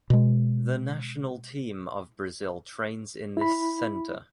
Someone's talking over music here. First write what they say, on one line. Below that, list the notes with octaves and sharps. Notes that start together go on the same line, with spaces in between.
The national team of Brazil trains in this center.
B2 G#3
E4 B5